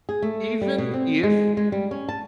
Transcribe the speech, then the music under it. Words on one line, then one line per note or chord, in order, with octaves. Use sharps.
even if
G#4
A3
G3
B2
C4
G#3
G#3
G3
C#4
A5